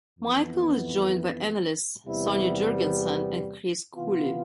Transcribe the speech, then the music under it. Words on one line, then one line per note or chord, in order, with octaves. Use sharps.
Michael is joined by analysts Sonny Jurgensen and Chris Cooley.
F2 E3 B3
E2 C3 G3 B3 E4
C3 E3 B3 F4